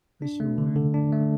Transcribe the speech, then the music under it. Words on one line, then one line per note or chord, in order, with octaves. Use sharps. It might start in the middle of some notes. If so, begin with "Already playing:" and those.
For sure.
D4
A3
D3
D3
D4
A3